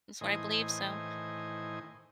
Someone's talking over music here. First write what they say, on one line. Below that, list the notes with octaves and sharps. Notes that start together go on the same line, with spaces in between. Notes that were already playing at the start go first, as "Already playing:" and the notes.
It's what I believe. So
A2 D#3 E3 C5 D#5 G#5